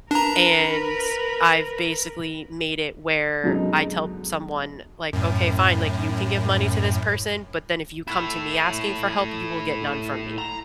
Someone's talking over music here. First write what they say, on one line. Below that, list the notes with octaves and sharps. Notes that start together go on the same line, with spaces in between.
and I've basically made it where I tell someone, like, "Okay, fine," like, "You can give money to this person, but then if you come to me asking for help, you will get none from me."
D4 A#4 B4 A#5
F#2 B2 D3 F#3 G#3 D#4
F#2 A2
A3 E4
A#5